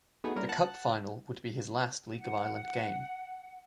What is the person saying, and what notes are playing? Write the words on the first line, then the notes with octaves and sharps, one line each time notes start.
The Cup final would be his last League of Ireland game.
A3 B3 D#4 F#4 G#4
G3 A#3 C#4 E4 A#4
F#5 A5 F#6
F#5